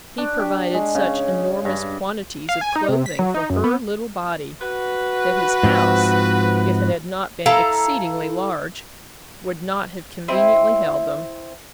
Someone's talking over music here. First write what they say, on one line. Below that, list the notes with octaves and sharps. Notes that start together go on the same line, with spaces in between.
He provided such enormous quantities of clothing for her little body, that his house, if it had not been exceedingly large, would not have conveniently held them.
D4
G4
G#3
C#3
G2
F5
G#5
D#4
C3
B6
F#3
D#4
F#2
B3
F#4 B4
G#2 F3 C4
E4 A4 F5 A#5
C4 E4 D#5